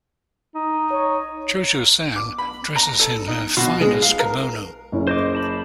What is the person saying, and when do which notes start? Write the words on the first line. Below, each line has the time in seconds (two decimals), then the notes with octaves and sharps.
Cho-Cho-San dresses in her finest kimono.
0.55 D#4
0.91 C#5
2.16 D6
2.38 B5
2.76 A#5
3.00 A4
3.28 D#4
3.57 B2
3.81 G#3
4.02 F5
4.19 A#4
4.92 F#1 C#4 E4
5.07 C5 D#5 D6
5.35 A5 B5